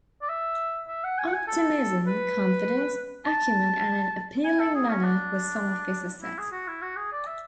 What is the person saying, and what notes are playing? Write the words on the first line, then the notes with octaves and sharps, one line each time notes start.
Optimism, confidence, acumen and an appealing manner were some of his assets.
D5
E5
E5
F#5
G#5
F#5
G#5
A4
B4
A5
G#5
A4
G#4
C#4
D4
E4
G#4
F#4
E4
F#4
G#4
D5
E5